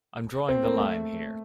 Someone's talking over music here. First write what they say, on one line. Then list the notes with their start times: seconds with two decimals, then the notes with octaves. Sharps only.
I'm drawing the line here.
0.49 C4
0.63 A#3
0.78 A3